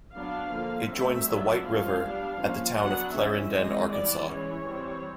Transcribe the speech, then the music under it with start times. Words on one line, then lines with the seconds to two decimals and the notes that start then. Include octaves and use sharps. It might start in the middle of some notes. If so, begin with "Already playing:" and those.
It joins the White River at the town of Clarendon, Arkansas.
0.14 F#3 B3 D4 F5
0.52 D3 F3 A#3
0.90 F#3 A3 C4 E5
1.27 F#3 B3 D4
1.64 F3 G#3 C#4 F5
2.02 G3 B3 D4
2.40 F3 A#3 C#4
2.77 F#3 B3 D4 F#5
3.15 E3 G#3 C#4 E5
3.52 E3 G#3 C4 D#5
3.90 E3 G3 B3 D5
4.28 E3 G#3 C#4 C#5
4.66 E3 G3 C4